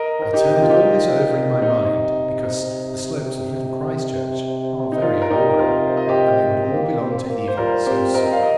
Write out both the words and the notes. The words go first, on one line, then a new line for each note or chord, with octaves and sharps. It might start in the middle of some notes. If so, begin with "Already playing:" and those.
I turned all this over in my mind, because the slopes of Little Christchurch are very alluring, and they would all belong to Eva so soon.
Already playing: A#4 D#5
D#3 A#4
D#4 G4
C3
G4
F4
D#4 G4
A#2
D#3
C3 D#4
D#4
A#2 F4
A#4
A#2 D#4 G4
C3 F4 A#4
C5
D#5
G4 C5
C4
A#3
C4
A#3
C4
A#3
C5
G3 F4 A#4
C4 G4 C5
C4 A#4 D#5
G3 F5
D#5